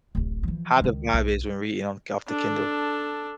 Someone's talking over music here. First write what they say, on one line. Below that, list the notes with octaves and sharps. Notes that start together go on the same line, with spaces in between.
how the vibe is when reading on off the Kindle?
D1 A1
E3 F3
C#2 D#3
B1
D4 A4